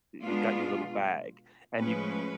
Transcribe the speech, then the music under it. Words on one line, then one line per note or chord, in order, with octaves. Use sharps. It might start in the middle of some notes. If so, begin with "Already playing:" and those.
you've got your little bag, and you
B2 G#3 B3 D4 F4
A2 F3 G#3 C#4 B4